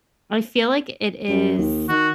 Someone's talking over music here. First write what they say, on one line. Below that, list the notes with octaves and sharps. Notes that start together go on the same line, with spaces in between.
I feel like it is
F#2
D#2
D#3 F#4